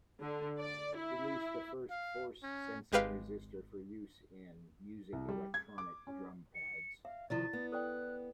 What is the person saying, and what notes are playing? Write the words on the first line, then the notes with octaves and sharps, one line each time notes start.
Released the first force-sensing resistor for use in music electronic drum pads.
D3
D5
E4
F5
C#4
G#1 G#3 G4 B4 F5
C2
G3
G#6
D6
C#4
C#7
E5 F5
C3 D#3 F3 E4 D5 A6
B3
A4 D5 G5 F#6